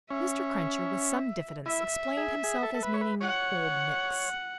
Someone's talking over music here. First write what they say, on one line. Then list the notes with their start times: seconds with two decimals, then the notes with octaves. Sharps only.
Mr. Cruncher, with some diffidence, explained himself as meaning "Old Nick's."
0.10 C#4 E5
1.66 E4 E5
2.17 G#4
2.44 G#4
2.63 A4
2.74 A4
2.83 B4
2.94 C#5
3.01 B4
3.21 C#5 F#5